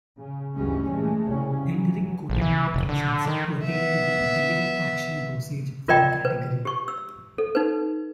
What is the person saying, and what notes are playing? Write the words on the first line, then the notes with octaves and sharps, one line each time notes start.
Enteric coated medications pertain to the "delayed action" dosage form category.
C#3
G1 D2 E3 G3 G#3 C#4
A#2 E3 G#3 A3
C2 C#3 C#4
E3 F#3
A#1
E3
F1
D3
D#3
B3 E5
F4 A#4 D5 D#5 G5 A#5
B4
G4 C#6
E6
A4
D#4 B4